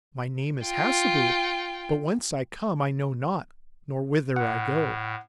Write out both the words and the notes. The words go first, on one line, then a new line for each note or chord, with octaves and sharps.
'My name is Hassebu, but whence I come I know not, nor whither I go.'
F4 G5
A2 F#5